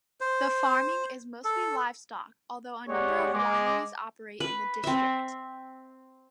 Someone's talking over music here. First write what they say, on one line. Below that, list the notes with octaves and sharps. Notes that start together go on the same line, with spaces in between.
The farming is mostly livestock although a number of wineries operate in the district.
C5
A4
G#3 G4 C#5 D5 F#5
G#3 D6
B4
C4 E5